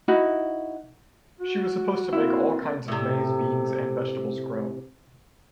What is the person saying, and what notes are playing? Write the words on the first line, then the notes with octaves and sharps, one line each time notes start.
She was supposed to make all kinds of maize, beans, and vegetables grow.
D#4 E4 F#4
F#4
A#3 C4 E4
A2 C3